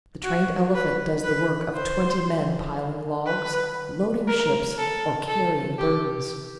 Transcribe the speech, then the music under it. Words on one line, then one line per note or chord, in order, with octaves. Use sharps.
The trained elephant does the work of twenty men piling logs, loading ships, or carrying burdens.
F#4
B4
B4
C5
B4
A#4
A4
A4
G4